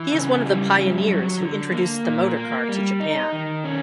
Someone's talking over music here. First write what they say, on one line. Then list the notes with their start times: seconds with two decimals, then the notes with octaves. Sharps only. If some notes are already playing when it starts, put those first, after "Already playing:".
He is one of the pioneers who introduced the motor car to Japan.
Already playing: E3
0.12 C#3
0.45 G3
0.77 F#2
1.09 F#3
1.40 D3
1.72 A#3
2.04 A#2
2.36 A#3
2.69 G3
3.00 D#4
3.33 D#3
3.64 C#4